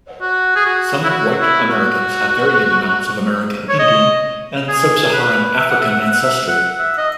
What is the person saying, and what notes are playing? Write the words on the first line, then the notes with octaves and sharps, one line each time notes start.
Some White Americans have varying amounts of American Indian and Sub-Saharan African ancestry.
F#4
G#4
F#4
E4
F#4
E4
F#4
C#5
D#5
G#4
B4
E5
F#5
E5
F#5
E5
F#5
E5
F#5
E5
D#5